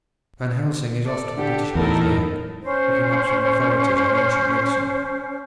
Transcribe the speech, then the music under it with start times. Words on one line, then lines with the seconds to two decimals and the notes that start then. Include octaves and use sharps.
Van Helsing is off to the British Museum looking up some authorities on ancient medicine.
1.05 A4 D5
1.37 D3 G4 A4
1.75 E2 A2 D#4 A4 A#4 A5 B5
2.63 C#4 C5